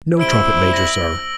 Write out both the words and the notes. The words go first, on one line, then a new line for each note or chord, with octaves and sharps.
'No, trumpet-major, sir.
C3 G3 E4 C5 E6 D7 G7
A#6 F#7